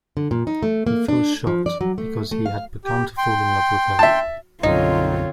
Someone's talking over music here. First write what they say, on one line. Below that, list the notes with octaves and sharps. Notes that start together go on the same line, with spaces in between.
He feels shocked, because he had begun to fall in love with her.
D3
A#2
D#4
A3
A#3
D4
F3
D5
F#3
A3
A3
F5
G4
G5 C6
E5 A5
B1 F#2 D3 C4 D#4 F4 C#5